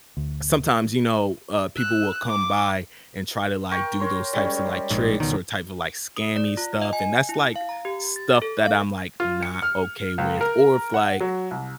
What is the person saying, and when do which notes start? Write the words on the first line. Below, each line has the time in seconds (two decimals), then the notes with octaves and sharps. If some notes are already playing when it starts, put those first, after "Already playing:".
sometimes, you know, uh, people will come by and try to, like, do those types of, like, tricks or type of, like, scammy stuff and that's, like, stuff that I'm, like, not okay with. Or if, like
0.17 D2
1.77 E6 F#6
2.27 D6
3.72 A#4 G5 C#6
4.00 A#4 C#5 C6
4.33 G3 G#3 C#4
4.90 A#1 G#2
5.20 C#2 B2 D#3
6.17 D#6
6.36 D5
6.57 F4
6.82 D#5
6.93 G#5
7.29 E4
7.56 F5
7.69 A#5
7.85 G4
8.16 A6
8.42 A4
8.65 F5
9.20 F4
9.43 C#7
9.62 F6
10.18 C#2
10.41 A#4
10.94 F#5
11.21 F#3
11.51 C2